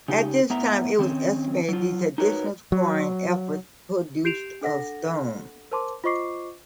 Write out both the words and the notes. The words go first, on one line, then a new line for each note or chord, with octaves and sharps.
At this time it was estimated these additional quarrying efforts produced of stone.
C#3 D#4 G4
A2 B3 E5 A#5
D#3 C4 C#4
F#3 F4
D#4 F#4 A#4 B4 C#5
F#3
G4 G6 C7 D7 E7 F7
D4 A4 F#5 A#6
A#4 C5 A5 C6 D6
F4 C5 D#5 C#6 D6 C7